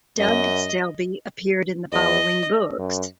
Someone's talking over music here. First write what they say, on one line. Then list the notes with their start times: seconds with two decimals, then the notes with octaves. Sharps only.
Doug Selby appeared in the following books.
0.18 F#2 D#5
1.92 E2 D#5
2.79 F#2